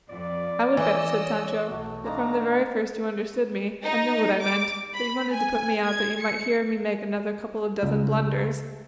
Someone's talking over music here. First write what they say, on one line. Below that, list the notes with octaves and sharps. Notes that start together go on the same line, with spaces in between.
"I would bet," said Sancho, "that from the very first you understood me, and knew what I meant, but you wanted to put me out that you might hear me make another couple of dozen blunders."
F2 F4 D5
E3 C#5 D#5 E6
B1 A3 F#4
C4 D4 D#4 D5 F5 A#5
D#4
D6
B5
G#5
G#6
C#7
C#2